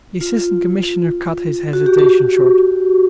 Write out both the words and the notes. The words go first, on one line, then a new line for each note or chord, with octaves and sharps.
The Assistant Commissioner cut his hesitation short.
F4
F#4
G4
F#4